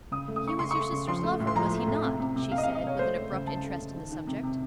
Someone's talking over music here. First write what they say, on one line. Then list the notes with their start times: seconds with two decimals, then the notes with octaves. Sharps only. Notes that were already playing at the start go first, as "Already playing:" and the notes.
"He was your sister's lover, was he not?" she said, with an abrupt interest in the subject.
0.11 C#3 D#6
0.28 A3
0.36 D#6
0.44 C#3 C#6
0.59 C#3 C6
0.71 A3 C#6
0.92 C#3
1.07 F3 C6
1.23 A3
1.40 A2
1.47 C6
1.56 F3 A#5
1.71 A3
1.87 A2
2.04 C3
2.20 C3
2.36 C3
2.52 C3 F5
2.58 D#5
2.63 C3 F5
2.75 D#5
2.83 C3 C#5
2.99 A3 C5
3.15 A3
3.32 C#3
3.47 C#3 A5
3.63 A3
3.80 C#3
3.95 D#3
4.11 D#3
4.27 C3
4.43 C3